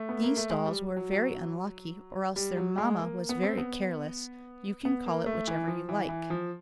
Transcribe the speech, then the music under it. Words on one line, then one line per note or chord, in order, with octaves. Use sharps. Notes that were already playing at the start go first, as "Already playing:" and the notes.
These dolls were very unlucky, or else their mamma was very careless; you can call it whichever you like.
Already playing: A3
B3
A#3
A3
G#3
G3
F#3
F#3
G3
F#3
G#3
A#3
B3
C4
B3
B3
A#3
A3
E3
F3
E3
E3
F3